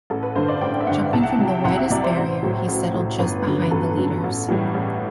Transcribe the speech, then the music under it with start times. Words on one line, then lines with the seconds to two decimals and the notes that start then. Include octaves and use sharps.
Jumping from the widest barrier he settled just behind the leaders.
0.10 A1 A4
0.23 B4
0.35 G2 D3 C5
0.48 D5
0.61 A1 G5
0.81 E5
0.87 G2 D3 F#5
1.13 C2 A5
1.23 F#5
1.30 G5
1.39 C3 F#3
1.48 G5
1.64 C2 F#5
1.78 E5
1.90 C3 F#3 D5
2.04 C5
2.17 A1
2.43 A2 F#3
2.68 A1
2.94 A2 F#3
3.19 G1 B4
3.45 F#2 D3 F#3
3.62 B4
3.71 G1 A4
3.97 F#2 D3 F#3
4.24 A1
4.49 A2 E3 G3
4.74 A1